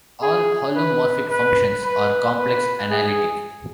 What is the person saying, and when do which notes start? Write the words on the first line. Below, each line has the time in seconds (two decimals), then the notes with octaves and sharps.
All holomorphic functions are complex-analytic.
0.22 G#4
0.76 B4
1.29 B4
1.83 B4
2.37 B4
2.90 G#4